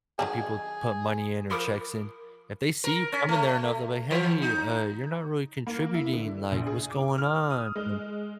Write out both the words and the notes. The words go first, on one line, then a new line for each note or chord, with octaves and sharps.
and people put money in or checks in. If they see you coming there enough, they'll be like, "Hey, uh, you're not really contributing, like, what's going on an"
D#3 F#3 D4 G#4 G#5
F3 A#4 B5 D6 D#6
A#4
C#4
A3
E3
D#4
A#3
E4
D3
A#1
G#4
D6
F6
D#6
G#3